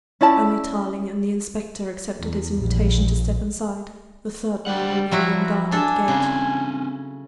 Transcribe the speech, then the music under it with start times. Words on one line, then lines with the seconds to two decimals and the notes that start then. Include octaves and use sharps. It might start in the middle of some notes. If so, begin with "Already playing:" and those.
Only Tarling and the Inspector accepted his invitation to step inside, the third man remaining on guard at the gate.
0.21 C#4 E4 D5 A5
2.17 E2
2.57 A#1
4.66 G3 D4 C5 F#5
5.11 F3 F#3 E4 F#4
5.72 D4 A4 G#5
6.08 C#3 C4 D4